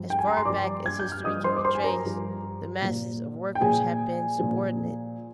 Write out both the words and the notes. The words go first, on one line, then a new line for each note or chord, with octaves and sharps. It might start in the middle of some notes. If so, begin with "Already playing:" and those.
As far back as history can be traced, the masses of workers have been subordinate.
Already playing: G2 F3
G5
G#5
A#5
C6
G2 F3 D5 D6
G#6
G6
F6
G2 F3 D#5 D#6
C5 C6
D6
C5 C6
G#5
A#4 A#5
G2 F3
A#2 F3
G5
A#2 F3 G#4 G#5
A#2 F3